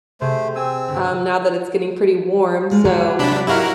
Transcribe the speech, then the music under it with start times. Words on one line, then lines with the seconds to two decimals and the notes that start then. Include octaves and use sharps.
um, now that it's getting pretty warm, so,
0.21 C3 A3 G#4 C5
0.56 C4 G#5 E6
0.88 G1
2.71 G#3 F4
2.85 F#3
3.19 C3 D4 B5
3.47 E4 F#4 G4 A#4 D#5 F5